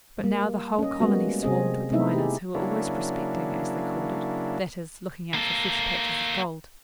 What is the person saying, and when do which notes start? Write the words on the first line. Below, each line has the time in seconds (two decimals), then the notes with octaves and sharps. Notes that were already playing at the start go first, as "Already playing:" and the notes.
But now the whole colony swarmed with miners, who were always prospecting, as they called it--that is, looking out for fresh patches of gold.
0.19 G3 A#3
0.79 C#4 D#5
1.00 G3 G#3 A#3 B3 F#4
1.43 C3 C4 G#4 D#5
1.92 C3 A3 B3 D#4 E4 E5
2.15 G4 G#4
2.55 C#3 F#3 A#3 D4 E4
5.34 A#3 A4